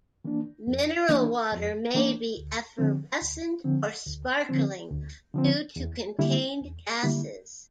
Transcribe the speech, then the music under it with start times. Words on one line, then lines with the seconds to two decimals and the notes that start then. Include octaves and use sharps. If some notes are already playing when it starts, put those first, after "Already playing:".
Mineral water may be effervescent or "sparkling" due to contained gases.
0.25 E3 A#3 D4
0.67 F2
1.09 E3 A#3 D4
1.52 F2
1.94 E3 A#3 D4
2.37 D2
2.78 D3 F3 C4
3.21 D2
3.64 D3 F3 C4
4.07 D2
4.49 D3 F3 C4
4.91 D2
5.34 D3 F3 C4
5.76 E2
6.19 D3 G3 A#3 E4
6.61 E2
7.03 D3 G3 A#3 E4